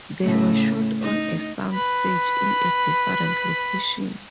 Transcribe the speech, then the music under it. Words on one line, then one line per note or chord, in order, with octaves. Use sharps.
They were shot on a sound stage in a different location.
A2 C#3 A3
D#4
B4 B5